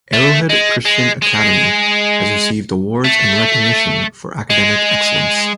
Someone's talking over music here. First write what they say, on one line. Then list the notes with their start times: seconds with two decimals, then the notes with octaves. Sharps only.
Arrowhead Christian Academy has received awards and recognition for academic excellence.
0.13 A3
0.50 G#3
0.86 G#3
1.22 G#3
3.04 A3
4.50 G#3